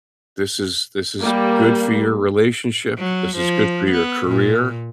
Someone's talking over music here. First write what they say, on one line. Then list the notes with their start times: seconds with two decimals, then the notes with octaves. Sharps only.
This is this is good for your relationship, this is good for your career,
1.21 G3 A#3
2.98 F#3
3.37 F3
3.91 B3
4.29 A#2